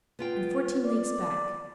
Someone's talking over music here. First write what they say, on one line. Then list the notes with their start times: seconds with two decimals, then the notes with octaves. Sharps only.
"And fourteen leagues back?"
0.19 B3 F4 G5
0.85 D5